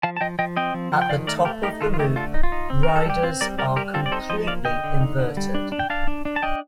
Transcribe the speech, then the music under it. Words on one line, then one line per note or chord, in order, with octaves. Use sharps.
At the top of the loop, riders are completely inverted.
F3 F5 A5
A5
F3 D#5 G5
F3 D#5 G5
C4 D#5 G5
F3
F3
G5
D#3 D5 F5
A3 A#4 D5
A3 G4 A#4
D#4 G4 A#4
D#3 F4 A4
F4
A3 D#4 G4
D3 F4 A4
D#4
F4
D#4
C4
D#4 A#4
A4
G3 G4
C4 F4
G3 A#4 D5
G3 A#4 D5
G3 G4 A#4
C4 F4 A4
D5
D#4 A4 C5
F3 C5 D#5
A#3 D5 F5
D3 D#5 G5
D3
D#4
D3
G3
D4
D4
G5
D4 F5 A5
D4
D4
A5
D4 D#5 G5